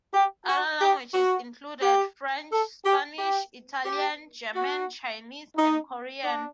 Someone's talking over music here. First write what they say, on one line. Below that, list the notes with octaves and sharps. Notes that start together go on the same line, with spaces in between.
Other languages included French, Spanish, Italian, German, Chinese and Korean.
G4
F#4
G4
F#4
G4
A4
G4
G4
G4
F#4
D#4
D4